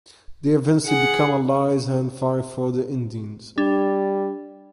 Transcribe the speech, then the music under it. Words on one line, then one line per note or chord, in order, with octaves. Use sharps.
They eventually become allies and fight for the Indians.
G#4 F#5
G3 D4